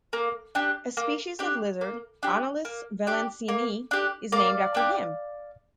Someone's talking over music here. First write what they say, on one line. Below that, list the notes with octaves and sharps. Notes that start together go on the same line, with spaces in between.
A species of lizard, "Anolis valencienni", is named after him.
A#3
D4 G4
A#3
D4 G4
A#3
D4 G4
A#3
D4 G4
A#3
D4 G4
A#3 D5 F5
D4 G4